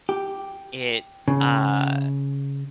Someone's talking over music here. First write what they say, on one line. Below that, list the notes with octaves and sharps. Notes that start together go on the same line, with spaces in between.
it, uh
G4
C#3